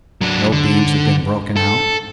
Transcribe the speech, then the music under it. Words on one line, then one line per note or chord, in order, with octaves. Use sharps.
No beams have been broken out.
F#3 D4
D3
A4